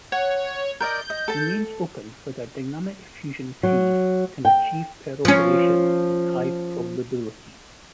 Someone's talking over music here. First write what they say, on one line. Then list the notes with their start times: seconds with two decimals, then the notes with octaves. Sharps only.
It remains open whether dynamic fusion trees can achieve per operation with high probability.
0.12 C#5 F#5
0.80 A#4 D5 D#5 G6
1.10 D#5
1.28 A4 A5
3.63 F#3
4.45 G5
5.25 F3 C#4